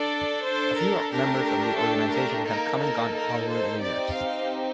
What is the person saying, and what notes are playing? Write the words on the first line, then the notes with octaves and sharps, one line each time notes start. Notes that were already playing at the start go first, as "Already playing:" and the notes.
A few members of the organization have come and gone over the years.
Already playing: D4 A4 D5
C5
A#4
A3 D4 G4 A#4
A4
A#4
A#3 D#4 A4 A#4
A#4
A#4
C5
C4 D#4 G4 D5
F5